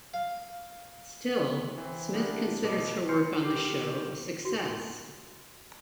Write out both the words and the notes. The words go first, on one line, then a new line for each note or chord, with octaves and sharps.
Still, Smith considers her work on the show a success.
F5
E3 C4
B3 D4 E4 G4 G#4 A#4
B1 B2 B4 D#5 D6
C6 F6 G6 C7 C#7
G4 A#4 D6 G6 C7
F#4